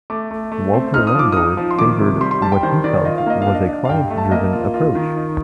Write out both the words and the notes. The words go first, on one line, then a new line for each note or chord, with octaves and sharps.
Walter Landor favored what he felt was a client-driven approach.
A3 D6
A3
A3
C4
D#4 F6
D#6
F3 D6
D#4 D#6
F3
C6
D#3 D6
C3
G3 C6
C6
G3 A5
G5
D#3 C5
D#3 D5
F4 D#5
F5
A#3 D#5
F5
D4
D#5
D4
F5
G2 G5
A3
A5
A#3 D#5
F4
F4
D#3
D#4